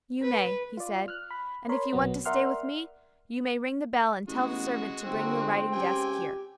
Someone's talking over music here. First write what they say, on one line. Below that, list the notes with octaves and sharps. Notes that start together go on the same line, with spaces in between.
"You may," he said, "and if you want to stay with me, you may ring the bell and tell the servant to bring your writing desk here."
B4
F4 D5
F6 F#6
B5
A#4 C#5 B5 C6
A#1 B2 F#3 B3
A#4 D5 E5 F#5 C6 F6
A1 G#3 B3 F#4
G1 D3 C4
C#2 G4 G5 G#5